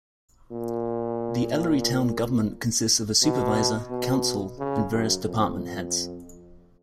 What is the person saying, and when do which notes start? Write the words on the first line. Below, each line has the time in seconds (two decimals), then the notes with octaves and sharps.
The Ellery town government consists of a supervisor, council, and various department heads.
0.51 A#2
3.23 B2
3.90 B2
4.58 C#3
4.91 F#2
5.26 F2